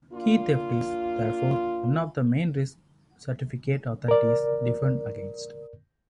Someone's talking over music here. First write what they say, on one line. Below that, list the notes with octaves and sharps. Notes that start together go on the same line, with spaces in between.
Key theft is therefore one of the main risks certificate authorities defend against.
A#3 D4 F4
A#4 D5